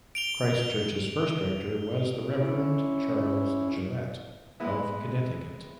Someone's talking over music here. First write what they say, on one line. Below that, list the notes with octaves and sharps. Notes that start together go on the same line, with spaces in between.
Christ Church's first rector was the Rev'd Charles Gillett of Connecticut.
D7 F7 G7
C#4 E4
G#3 B3 E4